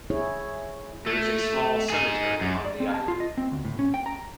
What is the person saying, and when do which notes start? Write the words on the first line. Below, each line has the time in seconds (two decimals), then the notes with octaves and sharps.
There is a small cemetery on the island.
0.10 E4 G#4 C#5
1.07 A3
1.90 D#4 G#4
2.41 F#2
2.65 D5
2.80 C4
2.94 A5
3.08 F4
3.20 D#5
3.37 C4
3.52 D2
3.65 A2
3.79 C#4
3.94 G5
4.06 A#5